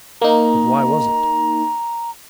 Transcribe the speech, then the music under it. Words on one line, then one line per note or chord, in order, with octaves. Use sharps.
But why was it?
A#3 D#4 A#5